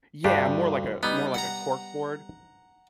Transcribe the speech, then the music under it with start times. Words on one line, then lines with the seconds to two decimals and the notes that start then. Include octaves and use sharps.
Yeah, more like a more like a corkboard.
0.24 D2 G2 D4 G4
1.03 G3 B3 D#4
1.34 F#5 A#5